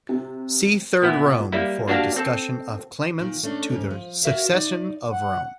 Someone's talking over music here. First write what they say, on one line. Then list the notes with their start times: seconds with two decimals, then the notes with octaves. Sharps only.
See Third Rome for a discussion of claimants to the succession of Rome.
0.09 C3
1.02 A#2 B3 E4
1.52 G3 A#3 E4
1.88 A#3 D4 F#4 G4 F5 A5
2.16 C4 A4
3.19 A#2 D#3
3.43 A3 C#4 D4
3.71 D2 G#2 C#4
3.91 F3
4.23 F#4 A#4 E5 F5
4.51 D#4 D5
5.11 F#5